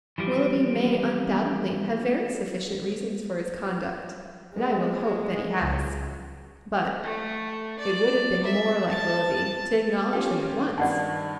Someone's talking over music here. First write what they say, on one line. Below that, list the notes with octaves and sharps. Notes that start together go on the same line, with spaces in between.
Willoughby may undoubtedly have very sufficient reasons for his conduct, and I will hope that he has. But it would have been more like Willoughby to acknowledge them at once.
E3 F3 G3
G#3
G#3
C#2
A3
D5
E5
A5
C#4 F4 G4 G5
G2 D#3 D5 F#5 A5